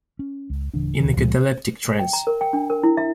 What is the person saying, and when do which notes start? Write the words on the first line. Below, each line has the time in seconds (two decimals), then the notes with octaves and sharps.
In a cataleptic trance.
0.19 C#4
0.50 C#2
0.74 D1 C#3 E3 D4
1.00 D2 B2 D#3
1.16 C#2 A#2 F3 G#3
1.99 G5
2.13 A#5
2.27 A#4
2.41 G5
2.53 D4
2.70 A#4
2.83 E4
2.97 E5